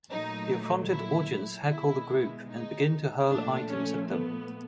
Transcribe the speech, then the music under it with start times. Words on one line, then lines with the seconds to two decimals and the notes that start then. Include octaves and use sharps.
The affronted audience heckle the group, and begin to hurl items at them.
0.10 A#2 F#3 A3 D#4
0.90 E4
1.70 B2 G#3 E4
2.50 D#4
3.29 A#2 F3 A3 D4
3.70 C#4
4.09 B3